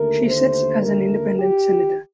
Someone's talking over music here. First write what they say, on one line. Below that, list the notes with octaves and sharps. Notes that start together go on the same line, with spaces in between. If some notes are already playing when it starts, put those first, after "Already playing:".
She sits as an independent Senator.
Already playing: D#2 D3 A3 A#4
C5
A#4
G4